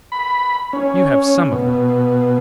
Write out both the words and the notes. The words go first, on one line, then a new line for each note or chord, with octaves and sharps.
You have some of them.
B5
C#4
B2